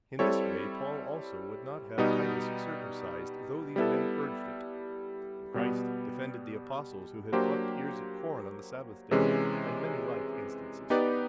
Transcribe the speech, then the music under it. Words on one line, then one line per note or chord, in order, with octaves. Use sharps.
In this way Paul also would not have Titus circumcised, though these men urged it; and Christ defended the Apostles, who had plucked ears of corn on the Sabbath day; and many like instances.
G3 C4 E4 A4 C#5
B2 G3 B3 D#4
G3 B3 E4 A4
B2 G3 B3
F#3 A#3 D4 G4 C5
C3 E3 G#3 C#4
B3 D#4 G4 B4 D5